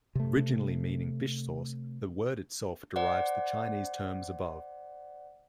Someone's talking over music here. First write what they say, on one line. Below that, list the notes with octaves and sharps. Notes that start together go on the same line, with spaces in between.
Originally meaning "fish sauce", the word itself derives the Chinese terms above.
C3 A3
C5 D5 F#5